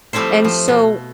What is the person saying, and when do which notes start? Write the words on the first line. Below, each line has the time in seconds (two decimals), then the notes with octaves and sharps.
And, so
0.13 F3 G3 A3 C4 E4 C5
0.44 F3
0.68 B2